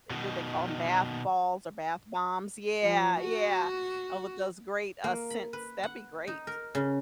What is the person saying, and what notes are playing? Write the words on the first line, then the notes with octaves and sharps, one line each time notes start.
what do they call 'em bath balls or bath bombs. Yeah, yeah, and with those great uh scents, that'd be great.
B2 D#3
F3
F#4
A#3
B5
B4
F#5
D#4
A#4
C#3